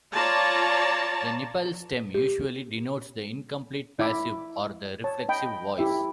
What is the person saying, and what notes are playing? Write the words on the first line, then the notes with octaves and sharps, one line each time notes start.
The Niphal stem usually denotes the incomplete passive or the reflexive voice.
F4 C#5 D5 A5 A#5
G4
E4 E5 D6
C#5 A5
D#5 G5 B5
E4 G4 E5